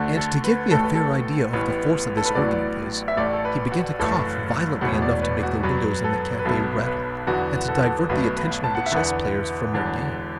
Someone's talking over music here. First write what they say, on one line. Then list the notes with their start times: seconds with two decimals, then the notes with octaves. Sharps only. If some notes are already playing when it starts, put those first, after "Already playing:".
And to give me a fair idea of the force of this organ of his, he began to cough violently enough to make the windows in the café rattle and to divert the attention of the chess players from their game.
Already playing: D2 D3 A3
0.17 A4
0.44 B4
0.71 A1 A2 A3 A4
0.83 B4
0.95 A4
1.53 A1 A2 E3 B3 B4
2.17 A4
2.26 B4
2.35 A1 A2 F#3 B3 D5
3.08 E5
3.17 A1 A2 A3 D5
3.33 A4
3.45 B4
3.72 F#4
3.99 F#1 F#2 E3 A3 A4
4.81 E1 E2 B2 A3 F#5
5.02 D5
5.22 B4
5.43 F#4
5.63 F#2 F#3 B3 B4
6.04 A4
6.39 B4
6.45 B1 B2 B3 A4
6.86 B4
7.27 E2 D3 F#3 B3 F#4
7.68 A4
7.76 F#4
7.84 A4
8.09 B1 B2 A3 B4
8.37 B4
8.64 A5
8.75 F#5
8.86 E5
8.92 E2 D3 B3 F#5
9.73 E1 E2 D3